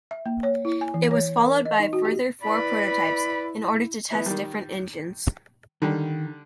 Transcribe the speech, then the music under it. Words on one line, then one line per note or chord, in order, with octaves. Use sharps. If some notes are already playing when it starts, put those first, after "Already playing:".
It was followed by further four prototypes, in order to test different engines.
E5
A#3
C#5
E4
G#5
E3
C#5
A#4
D#5
D#4
F#4
G4
E4 B4 D5 B5
E3 B3 E4
D#3 G3
D3 D#3 G3